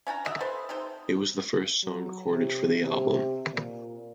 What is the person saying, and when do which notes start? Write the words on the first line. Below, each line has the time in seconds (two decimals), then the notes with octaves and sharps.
It was the first song recorded for the album.
0.07 C#4 D4 G5 A#5
0.25 D3 F#4 D#5 E5
0.40 A4 B4 C5
0.69 C3 D#4 A4 C5
1.84 F#3
2.31 C3
2.82 C3
3.53 A#2